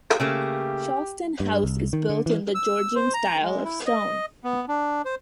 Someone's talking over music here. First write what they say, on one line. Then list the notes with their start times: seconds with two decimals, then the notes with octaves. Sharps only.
Shalstone House is built in the Georgian style, of stone.
0.20 C#3 A3 A#3 G4
1.40 G2
1.64 C2
1.93 D#3
2.10 D3
2.26 E3
2.55 E6
2.95 C5
3.14 A#5
3.42 G#3
3.65 E4
3.86 D#5
4.44 B3
4.68 D4
5.05 C5